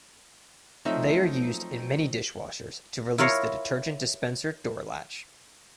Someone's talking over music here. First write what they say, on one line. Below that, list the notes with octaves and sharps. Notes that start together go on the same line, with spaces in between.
They are used in many dishwashers to release the detergent dispenser door latch.
F3 F#3 A3 C4 D#4 E5
E4 F4 A#4 C#5 F5